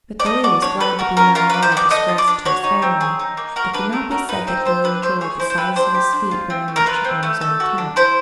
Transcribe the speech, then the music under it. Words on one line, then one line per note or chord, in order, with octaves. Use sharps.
But though he was glad to be no more a disgrace to his family, it cannot be said that he enjoyed the size of his feet very much on his own account.
D5
A4 D#5
F#4 D5
D4 C#5
A4 B4
F#4 A#4
C#4 A#4
F4 A#4
D4 B4
C5
B3 D5
A4 D#5
F4
D5
D4
F#4 C#5
D#4
C4
G#4
D#4
A#3
F#4 A#4
D4 B4
A3 A#4
F#4 A#4
D#4 B4
C4 C5
F4 C5
D4 B4
A3 C5
G#4 C#5
E4 C5
C5
C4 B4
D4 C5
G4
D4
F4
C4
A3
A#4
F4 B4
C4
A3
A4
F#4
D4
E4 C5